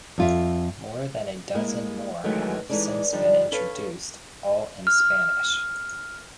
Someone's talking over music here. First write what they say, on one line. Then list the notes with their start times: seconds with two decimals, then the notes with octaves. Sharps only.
More than a dozen more have since been introduced, all in Spanish.
0.18 F2 F4 E5
1.55 G#3 A#3 E4
2.24 D#3 E3 F#3 G#3 A3
2.70 E3 G#3 D#4 A4 D5
3.13 D3 F3 G3 D4 D#4
3.52 A4 B4 C#5 F5
4.87 F6